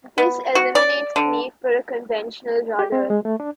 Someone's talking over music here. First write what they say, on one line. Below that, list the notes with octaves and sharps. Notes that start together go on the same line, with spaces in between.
This eliminates the need for a conventional rudder.
B3
F#4
D5
D3
G4
C4
G#3
A3
D4